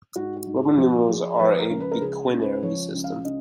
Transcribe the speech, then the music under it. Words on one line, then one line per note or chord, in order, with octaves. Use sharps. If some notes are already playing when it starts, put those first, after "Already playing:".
Roman numerals are a biquinary system.
G#2 F#4
F#4
G#2
G#4
F3 F#4
F3 G#4
F3 B4
A#4
C#2
B4
A#4
C#3 G#4
C#2
B4
F3 C#5
C#2
F5
C#3 D#5